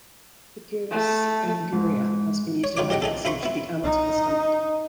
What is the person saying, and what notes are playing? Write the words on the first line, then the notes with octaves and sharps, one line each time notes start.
"Cucumis anguria" has been used in folk medicine to treat ailments of the stomach.
A3
G#2
C#5
C#2 D#3 F4 C#5 D6
G4 A#4 D#5 F#5 G5
D#4 G#4 A4
E4 F4 C5 B5 C#6
B3 E4
D#4